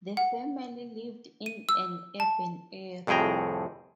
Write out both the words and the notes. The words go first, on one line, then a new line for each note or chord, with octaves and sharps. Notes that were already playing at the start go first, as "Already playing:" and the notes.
The family lived in an urban area.
F#5
D#7
E6
A5
C2 F2 A2 G#4 G5 A#5